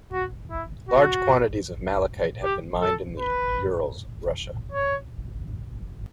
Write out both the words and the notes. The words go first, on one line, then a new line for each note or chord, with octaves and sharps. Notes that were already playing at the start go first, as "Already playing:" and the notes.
Large quantities of malachite have been mined in the Urals, Russia.
F#4
E4
F#4
G4
A4
B4
C#5